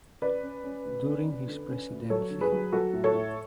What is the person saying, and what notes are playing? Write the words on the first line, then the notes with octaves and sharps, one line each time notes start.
During his presidency.
C#4 B4 D5
C#4
C#4
D2
C#4
C#4
D3
C#4
D2
F#3 A4 C#5
D3
G#4 B4
F#3
F#3 F#4 A4
A2
A4 C#5
A2